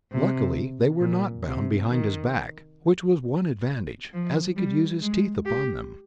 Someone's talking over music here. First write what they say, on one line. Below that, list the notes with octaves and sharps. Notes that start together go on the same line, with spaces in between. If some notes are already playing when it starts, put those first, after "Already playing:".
Luckily they were not bound behind his back, which was one advantage, as he could use his teeth upon them.
C3
A#2
C3
D#3
F3
G3
G#3
G4